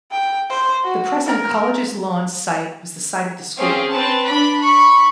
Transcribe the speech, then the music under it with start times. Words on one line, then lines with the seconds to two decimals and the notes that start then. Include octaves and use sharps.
The present College's Lawns Site was the site of the school.
0.11 G5
0.50 C5
0.84 F#4
1.25 A#4
3.58 C4 C#4 G#4 F5
3.90 C4 B4 A5
4.25 D4 B5
4.60 B5 C#6